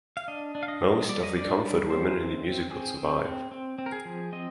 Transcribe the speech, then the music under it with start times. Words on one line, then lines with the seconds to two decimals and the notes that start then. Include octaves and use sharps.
Most of the comfort women in the musical survive.
0.17 F5
0.28 D4 D#5
0.55 D4
0.63 F5
0.68 D#5
0.82 G3
1.09 G3 D5
1.23 D#5
1.36 D4 D5
1.63 G3
1.90 C4 C5
2.17 C4
2.44 C4
2.71 C4 G#4
2.98 C4
3.25 C4
3.51 C4
3.78 C4
3.86 A#4
3.92 G#4
4.05 F3
4.32 C4 D#5